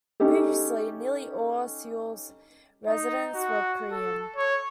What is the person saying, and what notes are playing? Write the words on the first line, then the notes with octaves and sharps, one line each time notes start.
Previously, nearly all of Seoul's residents were Korean.
C#4 D#4 G4 A4
D#4
F#4
A4
C#5